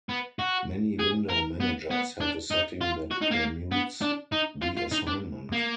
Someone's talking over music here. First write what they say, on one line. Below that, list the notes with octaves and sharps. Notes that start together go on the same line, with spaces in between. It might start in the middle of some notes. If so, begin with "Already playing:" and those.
Many window managers have a setting that permutes the assignment.
B3
F#4
G#4
A#4
B3
B3
D4
D#4
F4
F#4
D#4
A#3
B3
D4
D#4
F4
F4
D#4
D4
A#3